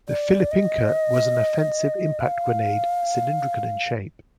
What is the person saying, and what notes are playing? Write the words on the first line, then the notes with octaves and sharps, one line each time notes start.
The "Filipinka" was an offensive impact grenade, cylindrical in shape.
D5
D#5
F5